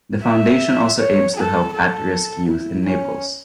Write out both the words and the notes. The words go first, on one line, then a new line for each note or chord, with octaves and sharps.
The foundation also aims to help at risk youth in Naples.
E5
C#5
A4
A4
E4
C#4